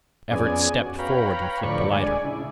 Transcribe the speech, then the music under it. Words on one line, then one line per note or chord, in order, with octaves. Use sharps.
Everts stepped forward and flipped a lighter.
F2 B3 C#4 G#4 D5 G#5
F#4
B4 C#5 F5 G5 A#5 B5
D2 A2 F3 D5 B5 C#6
G#3 D4 D5 G#5
C#3 E4